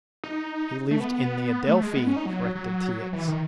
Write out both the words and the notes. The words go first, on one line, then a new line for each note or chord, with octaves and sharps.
"He lived in the Adelphi," corrected T. X.
D#4
A3
B3
A3
G#3
B3
C#4
D#4
F#3
F#3
E3
D#3